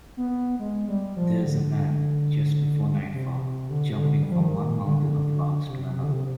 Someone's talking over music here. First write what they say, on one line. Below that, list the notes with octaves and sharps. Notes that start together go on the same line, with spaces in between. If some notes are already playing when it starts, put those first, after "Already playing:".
There is a man, just before nightfall, jumping from one mountain of rocks to another.
B3
G#3
G3
F3
D3
C3
C3
D3
C3
D3
G3
F3
D#3
D3
C3
C3
D3
C3